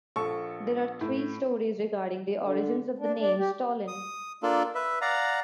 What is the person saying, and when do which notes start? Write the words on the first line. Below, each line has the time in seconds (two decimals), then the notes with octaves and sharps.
There are three stories regarding the origins of the name "Stolin".
0.16 A#1 A4 C#6
1.01 A2
2.42 D3
2.99 D4
3.19 D4
3.39 G4
3.88 D#6
4.43 A#3 D4 F4 A4
4.75 B4 E5
5.02 D5 F5 F#5 A#5